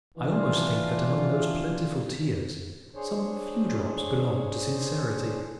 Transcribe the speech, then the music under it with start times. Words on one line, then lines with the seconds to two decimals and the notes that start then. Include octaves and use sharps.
I almost think that among those plentiful tears some few drops belonged to sincerity.
0.18 E3 D4 F4
2.95 D4 G#4 C5 C#5